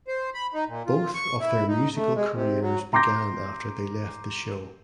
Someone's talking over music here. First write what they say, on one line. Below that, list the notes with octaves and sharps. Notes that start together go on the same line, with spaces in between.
Both of their musical careers began after they left the show.
C5
B5
D#4
A#2
F4
C#6
E4
D#4
A3
G#3
C3
F#3
A#5 C6 D6 G6 A#6